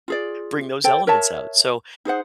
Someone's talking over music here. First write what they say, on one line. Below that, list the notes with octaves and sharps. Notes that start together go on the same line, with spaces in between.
bring those elements out. So
F4 G#4 D5
A4 C5 G5
A#4 C#5 E5 A5
D#4 G#4 C5 F#5